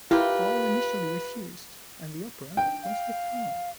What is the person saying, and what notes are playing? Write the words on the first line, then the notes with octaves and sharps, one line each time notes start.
Hall initially refused, and the opera was withdrawn.
E4 F4 G4 A#4 B4
G5
F5